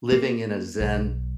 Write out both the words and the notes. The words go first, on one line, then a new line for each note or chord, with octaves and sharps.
living in a Zen
A#3
B1